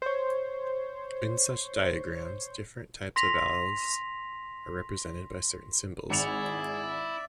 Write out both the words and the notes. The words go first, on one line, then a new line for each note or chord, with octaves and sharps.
In such diagrams, different types of valves are represented by certain symbols.
C5 C#5
C6 A#6 B6 F7
G#1 E4 G#4 D5 E5 C#7 F7